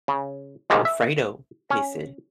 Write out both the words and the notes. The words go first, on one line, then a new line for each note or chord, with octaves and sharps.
Alfredo tasted.
C#3
G#2 D3 D#3 G3 G#3
E5
C#4